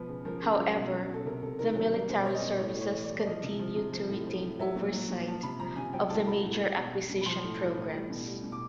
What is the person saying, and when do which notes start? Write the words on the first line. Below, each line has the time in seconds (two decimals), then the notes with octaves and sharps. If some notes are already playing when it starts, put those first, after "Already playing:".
However, the military services continued to retain oversight of the major acquisition programs.
Already playing: B2 F3 B4
0.08 C#3
0.25 F3 A#4
0.42 C#3
0.59 F#3
0.75 B2
0.92 F#3
1.09 B2 A4
1.26 C3 A#4
1.42 C3 A4
1.59 D#3 A#4
1.76 F#3 A4
1.92 G3 A#4
2.09 B2 C5
2.22 C5
2.25 G3 C#5
2.35 D#5
2.42 B2 D5
2.59 A2 C#5
2.76 A2
2.81 C#5
2.92 E3
3.04 D5
3.10 G3
3.21 D5
3.26 F3 D#5
3.43 C3
3.59 F3
3.76 C3
3.92 F3
4.09 A2
4.26 F3
4.43 A2
4.59 F#3 E5
4.76 A#2
4.92 F#3
5.09 A#2
5.27 F3 A5
5.43 C3 B5
5.60 F3 A#5
5.76 C3 G#5
5.93 F#3 G5
6.09 A2 A5
6.27 F#3 B5
6.44 A2
6.59 G3
6.77 B2
6.93 G3
7.10 B2
7.21 B5
7.26 F3 C6
7.43 A2
7.60 F3
7.76 A2
7.93 G3
8.10 B2
8.26 G3
8.44 B2
8.52 D6